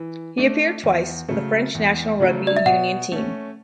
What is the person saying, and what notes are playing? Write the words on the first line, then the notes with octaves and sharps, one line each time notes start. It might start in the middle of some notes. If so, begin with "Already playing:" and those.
He appeared twice for the French national rugby union team.
Already playing: E3
A3 D4
E2
C#3 F#3 A3
E2
C#3 F#3 A3
D5
E5
B2 F#5
A3 C#4